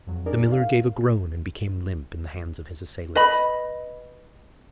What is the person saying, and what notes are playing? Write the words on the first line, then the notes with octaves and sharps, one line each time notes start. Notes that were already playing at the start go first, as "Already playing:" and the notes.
The miller gave a groan and became limp in the hands of his assailants.
F2 F#3
D4 D#4 G#4 A#4 D5
F5
B4 D#5 B5